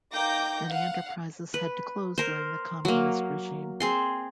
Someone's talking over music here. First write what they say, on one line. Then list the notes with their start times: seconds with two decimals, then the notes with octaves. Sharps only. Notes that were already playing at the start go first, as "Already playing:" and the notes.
Many enterprises had to close during the communist regime.
0.13 A#3 D#4 G5 D6 G6 A#6
0.68 F5 F#5
1.54 B4
2.18 A#4 C5
2.85 F#3 A#3
3.80 C4 G#4 C6